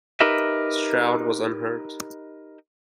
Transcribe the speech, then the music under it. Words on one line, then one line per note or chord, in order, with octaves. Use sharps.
Stroud was unhurt.
D#4 G4 A#4 B4 D#5 E5